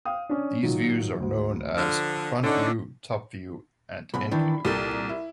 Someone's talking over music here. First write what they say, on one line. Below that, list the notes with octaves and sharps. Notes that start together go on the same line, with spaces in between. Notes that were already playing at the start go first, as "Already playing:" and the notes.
These views are known as "front view", "top view" and "end view".
F5 G5 D#6
C#4 D4
A#2 D#3 F#3
D2
D3 F3 F6
D3 C#4 D#4
B1 G#2 B2 B5
D#3 E3 D4
C2 A#2 G4 A4 A#4
E4